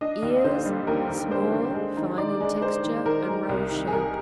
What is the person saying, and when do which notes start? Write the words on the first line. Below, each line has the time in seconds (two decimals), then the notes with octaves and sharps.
EARS--Small, fine in texture and rose shape.
0.01 D4 D#5
0.22 D#2
0.44 D3 C5
0.66 G3
0.87 D#2 A#4
1.09 D#2
1.31 D4 C5
1.54 D3
1.74 G#3
1.97 D#3
2.18 D#3 D5
2.40 G#3
2.61 G#3 C5
2.84 D#3
3.05 D#3 A#4
3.28 G#3
3.49 C2
3.71 D#3
3.87 G#4
3.93 C2 A#4